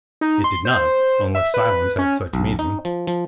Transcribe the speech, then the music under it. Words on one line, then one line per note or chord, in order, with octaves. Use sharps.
It did not,--unless silence had such meaning.
D#4
C6
C5
E5
B4
C#4
B1
D#4
F3
F3